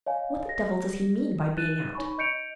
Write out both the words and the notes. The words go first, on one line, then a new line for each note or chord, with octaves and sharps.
What the devil does he mean by being out?
C#5 D#5 F5 G#5
A#6
D#4 B4 F#6 A6 D#7 E7
D#4 C#5 G#5 B5 C#6
D#5 G6 C#7 D7 F7